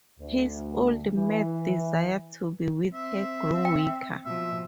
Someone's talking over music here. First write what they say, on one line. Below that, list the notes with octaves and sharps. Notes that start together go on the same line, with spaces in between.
His old mad desire to be with her grew weaker.
D2
E3
C4 E5
G5
B2 F3 E5